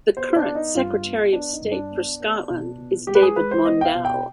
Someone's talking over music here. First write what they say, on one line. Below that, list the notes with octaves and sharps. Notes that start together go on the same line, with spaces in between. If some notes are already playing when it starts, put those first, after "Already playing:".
The current Secretary of State for Scotland is David Mundell.
B3 C5
D4
B3
D#4
G2 F4
B3
B3 D4
D#4
G2
D4
B3
B3
B2
B2
G#3 G4
B4
G#4
G#3 B4
C5
B3 D#5
G5
F5
B2
G5